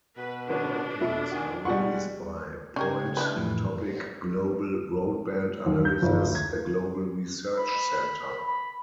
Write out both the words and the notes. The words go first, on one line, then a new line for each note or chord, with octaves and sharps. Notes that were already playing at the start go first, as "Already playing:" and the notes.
The rankings are released by Point Topic Global broadband analysis, a global research centre.
B2 B4
D3 B3 C#4 D4
B2 A3
D#3 F#4 G#5
B2 G3 G#3 F#5 C#6
C#3 C#4 D#4 G4 A#4 G#6
D4 E4 B4
F2 A2 E3
D#2
G6
G1
D2
G#6
B5
B5